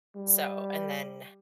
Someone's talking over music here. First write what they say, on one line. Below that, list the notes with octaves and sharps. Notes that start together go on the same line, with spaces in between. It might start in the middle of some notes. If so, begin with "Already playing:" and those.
So and then,
G3